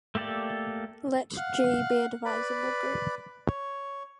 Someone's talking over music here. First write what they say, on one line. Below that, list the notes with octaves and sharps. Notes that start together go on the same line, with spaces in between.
Let "G" be a divisible group.
A3 A#3 G4 A4 D5
F5 F#5
B4 D5 B5
C#5